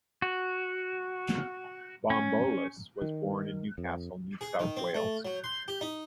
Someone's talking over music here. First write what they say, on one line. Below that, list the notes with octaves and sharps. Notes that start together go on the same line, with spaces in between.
Bombolas was born in Newcastle, New South Wales.
F#4
C#4
D#3
F2
G#4
D#3
C4
A3
F#3
C6
G4
D#4